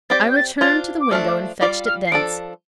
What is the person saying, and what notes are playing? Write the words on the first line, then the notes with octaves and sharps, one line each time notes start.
I returned to the window and fetched it thence.
C4 G4 D5 A6
G6
A6
D4 F4 C5 A6
D6
F3 A3 D4 F6
D6
G3 F4 D5 D6
F6
C7
F3 D4 A4 D7